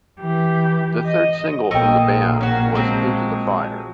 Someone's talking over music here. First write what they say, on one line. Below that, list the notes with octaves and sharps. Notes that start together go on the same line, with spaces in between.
The third single from the band was "Into the Fire".
E3 G4
D#5
A#1 A#3 A4 A#4 D#5 G5 C#6
C#4 F#4
F3 F#3 G#3 C4